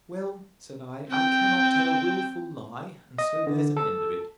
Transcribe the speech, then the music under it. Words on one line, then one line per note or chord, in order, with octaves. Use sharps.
Well, said I, I cannot tell a wilful lie, and so there's an end of it.
C4 G5
D#5
D3
A4